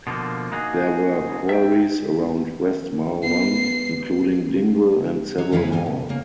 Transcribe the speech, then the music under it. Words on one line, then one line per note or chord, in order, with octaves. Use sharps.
There were quarries around West Malvern including Dingle and several more.
B2 D3 D#3 F3 A#3
A#3 D#4 F#4 G#4
E5 G5
B3 C7
F#3
F2 C#3 F3 A3 E4 B4
D2 G#2 E3 G#5
B2
C#3 A#3